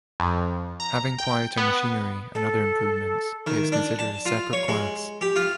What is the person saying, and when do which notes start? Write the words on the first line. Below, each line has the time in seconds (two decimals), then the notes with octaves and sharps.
Having quieter machinery and other improvements, it is considered a separate class.
0.20 F2
0.80 A#5
1.18 G5
1.57 B3
2.35 A4
3.47 D#3
3.72 D4
3.99 A5
4.26 F4
4.53 C#5
4.68 G#3
5.21 G4
5.36 F4